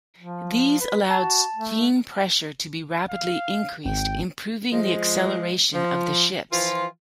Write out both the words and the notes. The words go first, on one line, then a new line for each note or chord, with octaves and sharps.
These allowed steam pressure to be rapidly increased, improving the acceleration of the ships.
F3
B4
F#4 A5
A3
F5
G#1 G5
F3 G#3
F3
E3 F3 F4